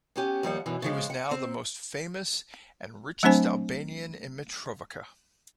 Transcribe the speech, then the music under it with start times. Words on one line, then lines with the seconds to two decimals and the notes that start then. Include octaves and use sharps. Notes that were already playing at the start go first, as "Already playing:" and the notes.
He was now the most famous and richest Albanian in Mitrovica.
0.16 B3 C#4 G4
0.43 D#2 F3 G3 F#5
0.66 F#2 B2 E3
0.82 C#3 F3 G#3
1.10 F#5
1.31 C4
3.23 F#3 A3 C4 D4 C5 G#5